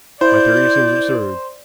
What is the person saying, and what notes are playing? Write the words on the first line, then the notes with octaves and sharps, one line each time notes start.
My theory seems absurd.
E4 C5 D5 G6